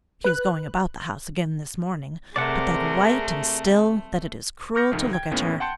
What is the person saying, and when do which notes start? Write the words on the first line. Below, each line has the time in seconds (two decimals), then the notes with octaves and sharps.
She is going about the house again this morning, but that white and still that it is cruel to look at her.
0.24 B4 F#6
2.36 C3 A3 G#4 A#4 D5 F#5
4.75 C#6 D6 F6 G6 A#6 C#7
4.92 C2 F2 D#3
5.13 G5 G#6
5.31 D#2 A2 B3 C#4
5.60 F#5 G5 A5 C6 G6 C#7